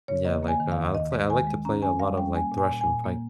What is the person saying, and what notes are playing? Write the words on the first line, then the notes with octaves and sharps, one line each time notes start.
Yeah like, uh, I'll play I like to play a lot of, like, thrush and pike.
C#3 C#5
A#3 D#5
A#3
G#5
D#3
F5
D#2
D#3 D#5
G#3
D#3 G#5
G#3
C#4 A#5
C#4 G#5
G3 F5
C#4 G5
A#3 G#5
A#2
G#5
A#2
G#5
A#2
A#3